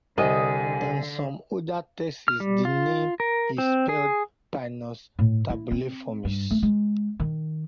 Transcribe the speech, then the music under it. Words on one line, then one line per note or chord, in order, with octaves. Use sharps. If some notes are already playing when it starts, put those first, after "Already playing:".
In some older texts the name is spelled "Pinus tabulaeformis".
C2 D3 D#5 G#5
F6
G3
F4
A#4
C4
G#4
A2
E4
C4
G2
A3
G#3
D#3